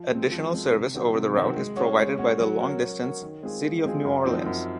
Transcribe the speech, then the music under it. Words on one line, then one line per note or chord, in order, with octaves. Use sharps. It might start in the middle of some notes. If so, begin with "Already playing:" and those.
Additional service over the route is provided by the long-distance "City of New Orleans".
Already playing: F3
G#3 C4
F3
G#3 C4
C3
D#3 F#3 C4 F#4
C3
D#3 F#3 C4 F#4
G#3
C#4 F#4 C#5
G#3
C#4 F#4 C#5
F#3
C#4 F#4 A#4 C#5
F#3
C#4 F#4 A#4 C#5
D#3
G#3 C4 F4 G#4
D#3
G#3 C4 F4 G#4
F#2
F3 C4 D#4
F#2